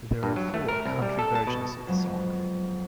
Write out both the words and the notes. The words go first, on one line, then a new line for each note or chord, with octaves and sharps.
There are four country versions of the song.
G2
F#3
A3
A#4
C2
G3
A4
A5
B2
F2 F#3 G#3 B3